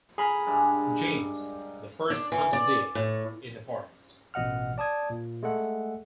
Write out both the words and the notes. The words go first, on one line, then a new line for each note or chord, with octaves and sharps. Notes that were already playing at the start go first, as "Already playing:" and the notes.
James the First hunted deer in the forest.
G#4 A#4 A#5 B5
G2 G#3 D4
D4
E3
D5
A2
A1 B2 D#5 F#5 F6
D5 A5 D#6 G#6
A#2
G#3 A3 A4 F#5